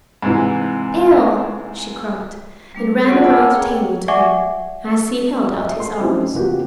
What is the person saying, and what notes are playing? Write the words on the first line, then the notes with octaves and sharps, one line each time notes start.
"Ell!" she cried, and ran around the table to him, as he held out his arms.
G#2 C3 E3
G3 A#3 D4
B3 C4 F4 F#4 G#4 F#5
F#5 G#5 A5 B5 C#6 E6
G#4 A4 C#5 F5 G5 A#5
D5 E5 F#5 G#5 C#6 D6
D#5 E5
A4 C6
A3 C4 C#4 D#4 E4 G4
C#3 F3 A#3 B3 F#4 G4